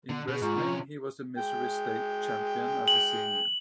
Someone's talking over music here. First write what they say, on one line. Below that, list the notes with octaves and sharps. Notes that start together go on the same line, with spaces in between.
In wrestling, he was the Missouri State Champion as a senior.
D3
B2 G#4
G#2 F4 A#5 C#6
C3 C#4
G#3 G5
F#7